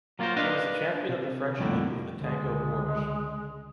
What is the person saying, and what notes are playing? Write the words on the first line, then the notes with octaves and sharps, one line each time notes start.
She was the champion of the French league with the Tango Bourges.
F#3 A#3 F4 F#4 A#4 C5
D4 B4 D#5 F5
C3
C2 F2 A2 D3 A#3
C#2 D3 G#3